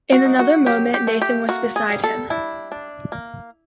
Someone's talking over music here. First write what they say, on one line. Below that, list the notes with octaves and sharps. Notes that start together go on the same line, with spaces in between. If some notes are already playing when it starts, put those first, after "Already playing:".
In another moment Nathan was beside him.
F#4
D#4
F#4
F#3 G4
G4
A3
G4
A#3 F#4
G#4
G3
A4
D4 E4
D4
A#3